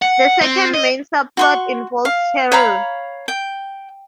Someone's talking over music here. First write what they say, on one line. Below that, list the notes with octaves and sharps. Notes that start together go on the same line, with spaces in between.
The second main subplot involves Cheryl.
F#5
C4
D#5
F#4 C6 C#6
F5
C#5 F5 A#5 B5
G5